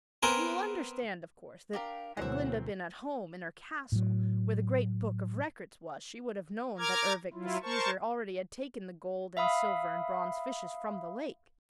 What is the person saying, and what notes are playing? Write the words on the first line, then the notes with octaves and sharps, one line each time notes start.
You will understand, of course, that had Glinda been at home in her castle, where the Great Book of Records was, she would have known that Ervic the Skeezer already had taken the gold and silver and bronze fishes from the lake.
B3 C4 A#4 G#5
D4 G4 A#4 F5
D2 B2 E3 F#3 C4 C#5 E5 F#5
A2 F#3
A#4 A#5 D6 F6 G#6
F#3 E4 F4
A#4 C5 A5 C#6
E5 F5 B5 D#6